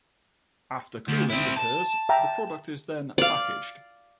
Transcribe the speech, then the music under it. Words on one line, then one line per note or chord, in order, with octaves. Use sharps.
After cooling occurs, the product is then packaged.
D2
C4 E4
A5
E5 G5 A#5
D5 F5